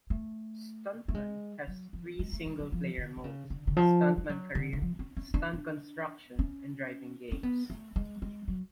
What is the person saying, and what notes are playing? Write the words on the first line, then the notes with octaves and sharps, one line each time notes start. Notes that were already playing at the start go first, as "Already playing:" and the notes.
"Stuntman" has three single-player modes: Stuntman Career, Stunt Construction and Driving Games.
A3
A3
G#3
F#3
F3
G#3
A3
G#3
F#3
F3
D3
D3
C#3
D3
D3
F3
G#3
F#3
D3
D3
F3
C#4
C#4
D4
D4
C#4
C#4
B3
A3
G#3
G#3
F#3